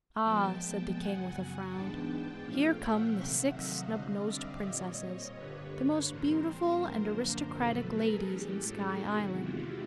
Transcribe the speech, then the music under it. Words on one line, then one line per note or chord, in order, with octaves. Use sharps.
"Ah," said the King, with a frown, "here come the Six Snubnosed Princesses--the most beautiful and aristocratic ladies in Sky Island."
A#2 F3 G#3 B3 G5 A5
F#2 C#3 F#3 F#5 G#5
G#2 E3 G#3 B3 D4 G5 A5
G5 A5
A#2 F3 A3 C#4 F5 G5
E5 F#5
C3 D#3 F#3 A3 C4
D#5 F5
D3 G3 C4
D5 E5
A#2 G3 C4 C#5 D#5
G2 D3 G3 A#3 D4 B4 C#5
A2 E3 G3 C4 A#4 C5
F#2 D3 F3 A#3 D4
B2 F#3 A3 A4 B4
G#4 A#4
A2 E3 G#3 C#4 G4 A4
F#4 G#4
E2 C3 D#3 G#3 E4 F#4
F4 G4